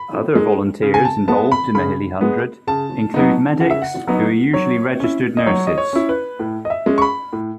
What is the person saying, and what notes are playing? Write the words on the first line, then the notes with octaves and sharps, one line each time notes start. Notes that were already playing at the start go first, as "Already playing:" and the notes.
Other volunteers involved in the Hilly Hundred include medics, who are usually registered nurses.
Already playing: B5
G#3 D#4
C#3
G#5
A5
G#3 B3 A5
B5
C#3 B5
G#3 B3
C#3 A5
F#3 B3 D#4
C#3 F#5
E5
F#5
F#3 B3 D#4
F#3 C#5
C#4 E4
D#5
F#3 C#5
D#5
C#5
C#4 E4
B4
A2
D#5
E5
G#3 C#4
C#6
B5
A2